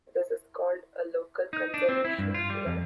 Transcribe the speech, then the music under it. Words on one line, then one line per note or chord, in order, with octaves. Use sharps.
This is called a "local conservation" law.
D#4
D4
C4
E4
G2
F4
G3
F2